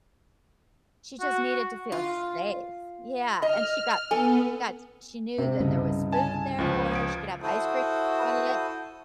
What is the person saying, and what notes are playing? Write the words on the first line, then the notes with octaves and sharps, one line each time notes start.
she just needed to feel safe. Yeah, and she got the f she got she knew that there was food there for her, she could have ice cream wanted it,
F#4
F4
D#5 F6
B3 A4 G#5
C3 C4
C2 G2 C#3 D#5
G#5 A5
C#2 F3
D#6 G#6 D7
E4 F#4 A4 C5 D#6